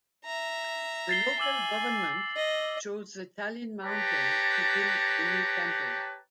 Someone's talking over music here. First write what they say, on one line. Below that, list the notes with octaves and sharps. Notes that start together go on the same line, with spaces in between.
The local government chose the Talin Mountain to build the new temple.
E5 A#5
A6 C7 G7
G#5 D6 E6 F#7
D#5
G4 B4 C#5 G5 A5 A#5